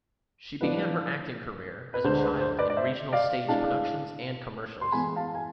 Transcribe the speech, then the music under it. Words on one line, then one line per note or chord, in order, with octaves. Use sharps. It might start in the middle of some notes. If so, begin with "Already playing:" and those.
She began her acting career as a child in regional stage productions and commercials.
A2 F3 B3 D4 B4
B4
D2 D3 G#3 C5
C5
B4
C5
B4 D5
D5
C5 E5
D5 F5
A2 G#3 D4 F5 A5
C6
A2 E3 G#3 B3 G#5 B5
F5 A5
G#5